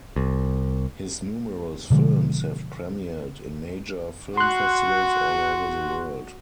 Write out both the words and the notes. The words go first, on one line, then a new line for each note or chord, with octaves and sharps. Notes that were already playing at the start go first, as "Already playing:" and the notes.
His numerous films have premiered in major film festivals all over the world.
C2
B2 D3 F3 G#3
F#4 C6 F#6